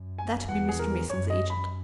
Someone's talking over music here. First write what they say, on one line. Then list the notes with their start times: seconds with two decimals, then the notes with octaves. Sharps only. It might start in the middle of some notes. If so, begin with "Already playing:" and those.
That be Mr. Mason's agent.
Already playing: F#2
0.18 G#5
0.49 E2 F#5
0.69 G#4
0.79 A#4
1.10 F#2 C#5
1.30 D#5
1.50 B5